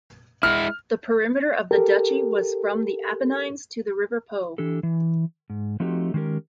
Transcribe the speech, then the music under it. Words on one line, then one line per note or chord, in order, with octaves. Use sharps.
The perimeter of the duchy was from the Apennines to the river Po.
G#3 E4 F6
G4 A4 A#4
E3 D4 G4 A4
E3
G#2
F3 A3 C4 D#4 F#4 G4
D#3 G#3 C#4 G4 A#4